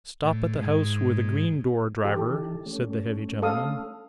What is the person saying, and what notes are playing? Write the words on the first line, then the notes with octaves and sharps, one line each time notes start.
'Stop at the house with a green door, driver,' said the heavy gentleman.
A2
G#2
D#3 E3 G4 A4
A3 C#4
A4 F5 D#6